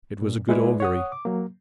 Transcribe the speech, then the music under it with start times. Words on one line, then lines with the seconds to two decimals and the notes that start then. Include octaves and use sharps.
It was a good augury.
0.21 A#2
0.49 G#3 E4 G#4 B4 D5
0.80 C#5 F#5 D#6
1.12 D6
1.25 F#3 A#3